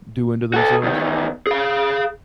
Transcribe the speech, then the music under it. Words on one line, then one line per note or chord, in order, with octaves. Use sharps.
doing to themselves.
F#4 A4
E2 D#3
G#4 F5